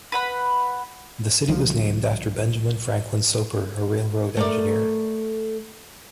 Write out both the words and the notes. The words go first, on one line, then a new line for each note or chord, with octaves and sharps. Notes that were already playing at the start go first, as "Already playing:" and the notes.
The city was named after Benjamin Franklin Soper, a railroad engineer.
B4 F#5 B5
C2 D3 F3
A3 A#4 D5